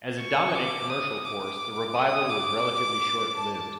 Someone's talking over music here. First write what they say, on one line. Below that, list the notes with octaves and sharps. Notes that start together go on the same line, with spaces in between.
As a dominant commercial force, the revival was relatively short-lived.
C#6
D6
D#6
D6
D#6
D6
A5